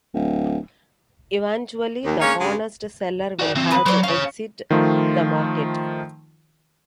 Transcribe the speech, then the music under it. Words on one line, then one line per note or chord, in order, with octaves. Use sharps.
Eventually, the honest seller will have to exit the market.
D1
D#2
D2 G#3 A#3 C#4 D#4 C#5
G2 C#3 G#3
F#4 D5
E3 C4
B4 D#6
F#3 C5 D5
C#4 C#5 F5
D#3 F3 A3 F4